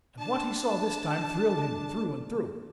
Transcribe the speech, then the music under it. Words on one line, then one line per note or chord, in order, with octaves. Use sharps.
And what he saw this time thrilled him through and through.
D4 A5